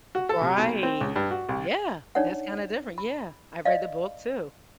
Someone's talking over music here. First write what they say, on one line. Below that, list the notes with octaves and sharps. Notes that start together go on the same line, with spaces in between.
Right, yeah, that's kinda different, yeah, I've read the book too.
F#4
A4
C3
B1
C4
C#2
G2
F#4
C2
D4 D#4 C#5 D5 F#5
B5
D5 D#5 F5